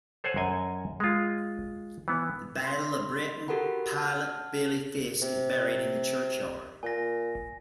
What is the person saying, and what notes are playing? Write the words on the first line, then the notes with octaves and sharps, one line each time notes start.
The Battle of Britain Pilot Billy Fiske is buried in the churchyard.
A4 C5 C#5 F#5 G#5
F#2 D#5 G#5
G#3 F4
E3 B3
B5 C6
F#4 G4 A4 A#4 F#5 B5
F#5 A5 F6
C3
A#2 G#5 A#6